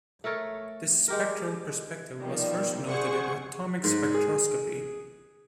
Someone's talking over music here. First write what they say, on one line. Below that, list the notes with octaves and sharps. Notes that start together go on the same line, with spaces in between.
This spectral perspective was first noted in atomic spectroscopy.
A3 A4 A#4 C#5
G#3 G4 A#4
B2 D#3 F3 G3
G#4 C5 F#5 G#5 C#6
G#2
G#4